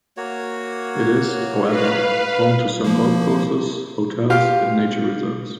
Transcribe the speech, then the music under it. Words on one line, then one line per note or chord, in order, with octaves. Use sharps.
It is, however, home to some golf courses, hotels, and nature reserves.
A#3 F#4 C#5
B4 F5
F3 A#3
F4 G4 F5